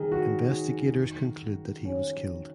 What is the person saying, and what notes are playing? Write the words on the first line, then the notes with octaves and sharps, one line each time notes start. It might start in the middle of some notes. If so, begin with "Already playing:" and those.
Investigators conclude that he was killed.
Already playing: D#3 D#4 G#4
F#4
C#4